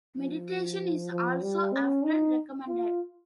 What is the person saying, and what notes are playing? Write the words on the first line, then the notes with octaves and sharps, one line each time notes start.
Meditation is also often recommended.
F3
F3
G3
C#4
D#4
F4